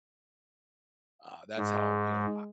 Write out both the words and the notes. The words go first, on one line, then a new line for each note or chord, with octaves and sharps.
uh, that's how, you know, I
G#2 G#3